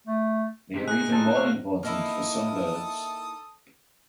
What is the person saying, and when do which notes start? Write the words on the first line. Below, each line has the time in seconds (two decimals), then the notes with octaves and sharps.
They are even more important for some birds.
0.07 A3
0.74 G#2 C3 B6
0.88 G#4 F#6 A#6
1.12 D#4 A4 C5
1.36 A3 C#5 F5
1.83 A#3 D#4 E4 A4 D#6